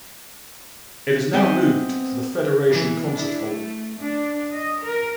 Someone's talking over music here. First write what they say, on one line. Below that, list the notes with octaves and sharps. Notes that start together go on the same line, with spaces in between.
It has now moved to the Federation Concert Hall.
B3 C4 C5 D#5 E5 G#5
E3
D4 E4
A3
D4
D#5
A#4